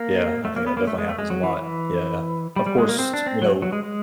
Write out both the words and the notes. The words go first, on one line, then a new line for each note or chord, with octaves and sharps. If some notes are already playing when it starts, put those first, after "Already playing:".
Yeah, I think that definitely happens a lot, yeah, of course, you know
Already playing: A#3
A3
A#3
B3
A#3
A3
G#3
A3
G#3
F#3
E3
E3
G3
G3
G#3
A#3
C4
D4
C4
F#3
F#3
G#3
G#3